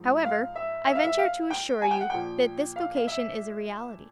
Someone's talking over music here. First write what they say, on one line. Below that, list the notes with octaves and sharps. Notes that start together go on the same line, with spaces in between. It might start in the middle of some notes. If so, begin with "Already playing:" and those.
However, I venture to assure you that this vocation is a reality.
Already playing: G#2 F3
F5
E5
E5
F5
E5
F5
G5
G#5
G5
F#5
A#2 F3 G5
F5
F5
E5